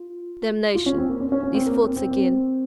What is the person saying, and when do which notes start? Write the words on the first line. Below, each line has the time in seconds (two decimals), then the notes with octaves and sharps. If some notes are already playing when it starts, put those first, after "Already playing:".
Damnation, these thoughts again!
Already playing: F4
0.75 F4
0.86 C#4
0.98 C4
1.09 A#3
1.21 C#4
1.32 C#4
1.43 C#4
1.55 C4
1.66 A#3
1.81 C4
1.96 C4
2.11 C4